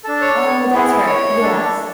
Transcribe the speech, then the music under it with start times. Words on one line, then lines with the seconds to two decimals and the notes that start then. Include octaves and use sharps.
Oh, that's right. Yes.
0.04 D4 A4
0.21 C#5
0.72 B3 E4 G#4
1.07 C#5
1.41 D4 A4